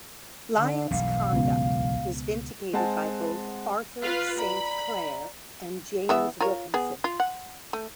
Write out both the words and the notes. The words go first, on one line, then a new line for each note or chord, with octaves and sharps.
Lyon's conduct was vindicated by both Arthur Saint Clair and James Wilkinson.
D3
E1 B1 G2 F5
C#2 B2
G#3 C4 F#5 A5
F4 B4 F5
D5 A#5 B5
E3 B3 E5
F4 A#4 C#5
B3 G#4
F4
F#5
A3